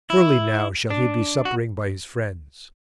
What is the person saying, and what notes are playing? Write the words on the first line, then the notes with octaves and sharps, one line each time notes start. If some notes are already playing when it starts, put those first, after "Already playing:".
"Surely now shall he be suppering by his friends."
E4
D4
F#4